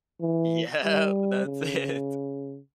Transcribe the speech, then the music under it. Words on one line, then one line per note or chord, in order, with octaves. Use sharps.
Yep, that's it.
E3
G3
C#3